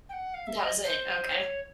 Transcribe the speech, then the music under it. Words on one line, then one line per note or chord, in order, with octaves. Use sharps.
That was it, okay.
G5
F#5
F5
E5
D#5
C5
C#5